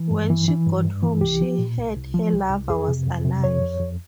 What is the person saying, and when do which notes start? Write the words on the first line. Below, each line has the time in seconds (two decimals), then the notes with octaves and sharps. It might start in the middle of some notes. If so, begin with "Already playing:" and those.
When she got home, she heard her lover was alive.
Already playing: E3
0.11 G2
0.30 E3
0.48 E3
0.66 G2
0.85 G2
1.03 E3
1.21 C2 G4
1.41 F3
1.59 A#2
1.77 C2
1.96 C2
2.14 F3
2.33 C2
2.51 C2
2.69 F2 G#4
2.88 C3
3.06 F2
3.25 C3
3.44 F2 C#5
3.62 F2
3.80 F2